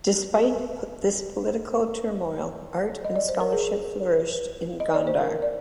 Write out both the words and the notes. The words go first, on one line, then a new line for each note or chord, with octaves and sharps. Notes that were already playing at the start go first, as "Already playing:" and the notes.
Despite this political turmoil, art and scholarship flourished in Gondar.
G4
D#5
D5
C5
A#4
G#4
D#5
D5
C5
A#4
D5